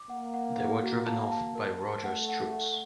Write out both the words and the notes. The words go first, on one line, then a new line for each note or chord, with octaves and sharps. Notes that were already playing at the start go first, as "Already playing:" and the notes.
They were driven off by Rogers' troops.
Already playing: D6
A#3 F#5
F#5
F#5
F#4
A5
A5
A#4
A5
A3 F#5
F#5
F#5